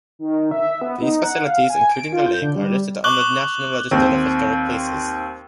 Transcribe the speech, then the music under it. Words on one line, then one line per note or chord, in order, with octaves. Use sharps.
These facilities, including the lake, are listed on the National Register of Historic Places.
D#3
E5
B3
D#4
F#5
F5
G#5
D7
F4
G6
D3
G3
C#6 D6 F#6 F#7 G7
D#2 C4